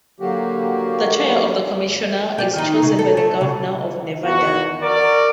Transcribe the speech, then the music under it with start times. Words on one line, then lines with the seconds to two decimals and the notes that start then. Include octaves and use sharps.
The chair of the commissioner is chosen by the Governor of Nevada.
0.20 D3 F#3 A#3 F#4 G4
2.38 G4 D5
2.55 D#3 D#4
2.82 C#3
2.99 A4
3.17 A3
3.41 C#3
4.24 E2 F#4
4.83 F#4 A#4 D5